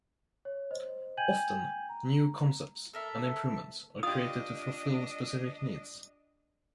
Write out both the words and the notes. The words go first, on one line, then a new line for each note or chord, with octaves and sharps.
Often, new concepts and improvements are created to fulfill specific needs.
C#5
C5 D#5
G5 G#5 G6 G#6 D#7 F#7
A#5
A4 A#4 E5
D4 F4 G4 D#5 D#6